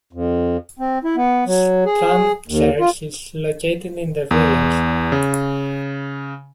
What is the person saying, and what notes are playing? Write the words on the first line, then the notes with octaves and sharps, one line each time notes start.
Strand Church is located in the village.
F2
C4
E4
B3
F#3
G#4
D#2
F4
E2
C#3